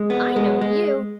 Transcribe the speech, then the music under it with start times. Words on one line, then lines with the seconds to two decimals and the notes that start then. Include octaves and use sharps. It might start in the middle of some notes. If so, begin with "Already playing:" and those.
"I know you!"
Already playing: G#3
0.10 B3
0.36 G#3
0.61 G#3